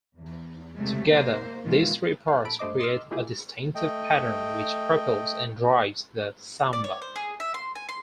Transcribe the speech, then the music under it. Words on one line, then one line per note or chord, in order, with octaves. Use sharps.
Together these three parts create a distinctive pattern which propels and drives the samba.
E2
C3 F#3 G#3 A3
A#3 C5
B2 D#3 E3 G#3 F4
F5
A#1 A4 B5 D7
G2 A3 C5 D#5 D6
D#5 C6 D6 E6 F6
G#3 A#3 E4 F4 G4 G#4
A3 D#5 G5
D5
C#5
C5
G#4
E5
C6
G#5
C6